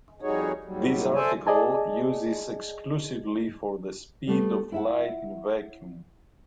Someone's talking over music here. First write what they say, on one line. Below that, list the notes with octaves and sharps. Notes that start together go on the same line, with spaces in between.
This article uses exclusively for the speed of light in vacuum.
F2 G3 D#4 F#4 G#4 C#5
D#2 G#2 F#3 G3
A4 C5 D5 E5 G#5 A5
G#4 D5 D#5 G#5 A5
G3 A3 B3
E4 E5 F#5